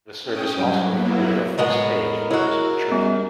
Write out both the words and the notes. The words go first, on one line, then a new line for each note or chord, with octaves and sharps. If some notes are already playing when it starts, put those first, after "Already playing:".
The service also included a full stage for musical tributes.
C#4 G5 D#6
G2 F#3
F#3 A#3 B3 E4
A2 G#3 B3 A#4
G#3 E4 F#4 A#4 C#5 E6
G3 B3 C#4 G#4